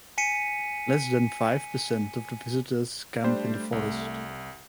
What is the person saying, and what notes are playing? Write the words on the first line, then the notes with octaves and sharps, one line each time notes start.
Less than five percent of the visitors camp in the forest.
G#5 B6 C#7 D#7
G3 A3 D4 C5
C2